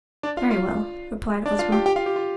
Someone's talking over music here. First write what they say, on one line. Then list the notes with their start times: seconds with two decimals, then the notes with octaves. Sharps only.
"Very well," replied Ozma.
0.23 D4 D5
0.37 F4 F5
0.51 F4 F5
1.46 D4 D5
1.59 F4 F5
1.72 G4 G5
1.86 G4 G5
1.96 F4 F5
2.06 G4
2.16 F4